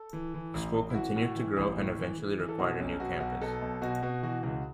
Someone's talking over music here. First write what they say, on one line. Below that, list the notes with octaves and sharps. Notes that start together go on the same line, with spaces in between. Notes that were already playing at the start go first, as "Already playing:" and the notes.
The school continued to grow and eventually required a new campus.
Already playing: A4
E3
E3
A1
A1
E4
E3 F#4
A2
E3
A1
A2
E3
E3
E3
A4
B2 F#4
B1 C#4
B2 F#4
B1 F#4
B2 A4
B1
B2 F#4
B2
E3 F#4
C#2 F#4